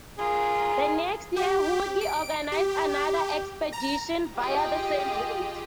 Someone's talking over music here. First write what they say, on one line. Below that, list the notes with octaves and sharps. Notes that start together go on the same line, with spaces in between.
The next year Hugi organized another expedition via the same route.
F4 G#4 A#4
G4
D7
G4
A#5
F4 G4 G#4 D#5 G5